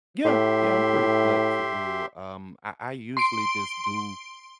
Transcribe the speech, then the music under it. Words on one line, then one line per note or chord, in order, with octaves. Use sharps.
Yeah. Yeah, I'm pretty flexible. Um, I I usually just do
A2 G4 E5 C6
C6 D7